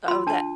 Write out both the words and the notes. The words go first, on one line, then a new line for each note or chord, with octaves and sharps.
Oh, that
F4 C6
D4 A5